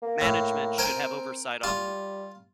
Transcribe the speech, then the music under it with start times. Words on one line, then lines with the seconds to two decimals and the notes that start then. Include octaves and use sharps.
Management should have oversight on
0.02 A#3
0.21 A2
0.78 C4 A#4 G5 G#5
1.64 G3 F4